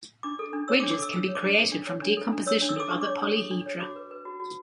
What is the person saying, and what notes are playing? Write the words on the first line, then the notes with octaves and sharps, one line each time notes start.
Wedges can be created from decomposition of other polyhedra.
D4 D6
A4
D4
C#5 E6
D6
D4
D6
A4 E6
D4 E6
C#5
D6
D4
A4
D4
C#5
D4
A4
D4
C#5 E6
D4
E6
A4 D6
D4 C#6
D6
C#5
D4
A4
D4
C#5
F#4 D6
B4
B4
F#4
F#4